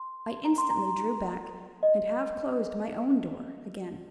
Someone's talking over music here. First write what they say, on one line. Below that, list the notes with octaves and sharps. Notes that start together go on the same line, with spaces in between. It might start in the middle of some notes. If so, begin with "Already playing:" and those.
I instantly drew back, and half-closed my own door again.
Already playing: C6
A#5
C6
A#5
D#5